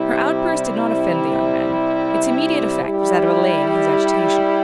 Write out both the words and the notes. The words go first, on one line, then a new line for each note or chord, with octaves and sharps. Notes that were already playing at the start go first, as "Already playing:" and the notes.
Her outburst did not offend the young man; its immediate effect was that of allaying his agitation.
Already playing: C3 G3 E4
G3 E4 G4